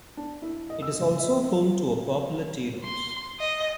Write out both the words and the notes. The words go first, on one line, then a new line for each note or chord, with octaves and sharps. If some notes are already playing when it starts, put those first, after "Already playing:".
It is also home to a popular Tea Rooms.
D4
E4
D#5
E6
F#1
E5
C6
D#5